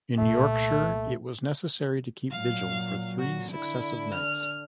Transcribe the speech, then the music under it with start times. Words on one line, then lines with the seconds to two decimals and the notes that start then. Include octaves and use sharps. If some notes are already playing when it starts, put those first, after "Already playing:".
In Yorkshire it was necessary to keep vigil for three successive nights.
0.19 C2 A#2 A3
2.31 A#2 F#3 F5
3.19 F#4
3.51 D3 D4 E4
4.15 F6